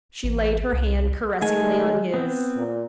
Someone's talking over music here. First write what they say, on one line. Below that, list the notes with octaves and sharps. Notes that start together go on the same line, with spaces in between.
She laid her hand caressingly on his.
A1
C2
D#3 G#3 A3 G#5
B3 C4
A#2